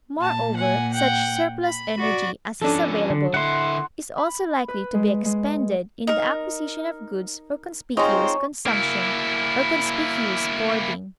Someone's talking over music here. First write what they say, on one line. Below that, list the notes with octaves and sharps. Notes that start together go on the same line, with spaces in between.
Moreover, such surplus energy as is available is also likely to be expended in the acquisition of goods for conspicuous consumption or conspicuous boarding.
A#2 A5
F#5 G#5
F#5 G5
B5
F#4 D5
F3 C#4 D4 A4
D3
D3 E4 F#5 C6
B5
B4
G#3
G#3
D#4 A#4
G#3 C4 D#4 F4 C#5 G#5 A#5
A#3 E4